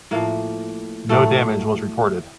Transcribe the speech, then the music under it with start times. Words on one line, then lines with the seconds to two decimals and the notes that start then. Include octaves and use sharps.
No damage was reported.
0.11 A2 F3 A#3
1.09 A2 F#3 A3